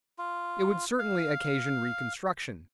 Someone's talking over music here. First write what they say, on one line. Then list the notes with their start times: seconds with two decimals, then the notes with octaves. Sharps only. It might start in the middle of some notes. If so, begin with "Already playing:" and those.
It would certainly occasion reconstruction.
0.18 F4
0.99 F5